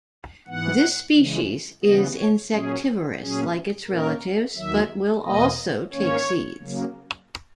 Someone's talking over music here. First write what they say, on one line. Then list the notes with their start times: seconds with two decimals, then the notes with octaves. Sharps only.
This species is insectivorous, like its relatives, but will also take seeds.
0.47 G#2 E3 B3 F#5
1.15 C#3 E3 G#3
1.83 C#3 E3 B3 D#5
2.18 C#5
2.52 A#2 F#3 C#4 G#4
3.20 A#2 F#3 C#4 G#4
3.87 A#2 A#3 C#4 A#4
4.55 D#2 D#3 F#3 E5
5.24 E2 B2 A#3 D#5
5.92 G#2 D#3 A#3 C#4 C#5
6.60 C#3 F#3 A#3